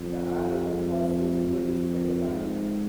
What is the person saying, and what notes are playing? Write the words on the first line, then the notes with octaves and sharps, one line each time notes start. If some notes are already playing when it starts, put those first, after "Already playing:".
The album was self-produced by the band.
Already playing: F2
F2
F2
G#2